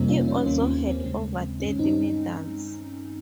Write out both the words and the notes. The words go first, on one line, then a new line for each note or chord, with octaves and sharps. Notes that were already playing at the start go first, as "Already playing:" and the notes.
He also had over thirty medals.
Already playing: F2 C3 G3 A#3 C4 D#4
C#4 F4
C#4
D#2 D#3 G3 A#3 C#4
C4
C4
D#2 C#3 G#3 C4
G2 D#3 G#3 C4 C#4
C4 D#4